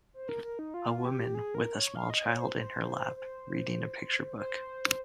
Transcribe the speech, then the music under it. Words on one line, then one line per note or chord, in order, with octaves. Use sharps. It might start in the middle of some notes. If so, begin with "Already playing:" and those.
A woman with a small child in her lap reading a picture book.
C5
A#4
A#4
D#4
F4
G4
G#4
A#4
C#5
F5
D#5
C#5
C5
C5
C5
C5